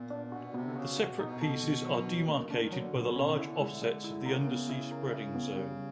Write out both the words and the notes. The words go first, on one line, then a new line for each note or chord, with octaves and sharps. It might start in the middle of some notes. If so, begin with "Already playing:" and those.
The separate pieces are demarcated by the large offsets of the undersea spreading zone.
Already playing: A#2 B3
D4
B2 F#4
C3 B3
D3
C#3 F#4
C3 F#4
B2
A#2
B2 D#4
A4
D#3
F#3
D#3
C#3 A#3
D#3 D4
D#3
F#3
D3
B2
C#4
E4
G#3
G#3
E4
C#3 A#4
B3
E4
A#4
E4
B3
G3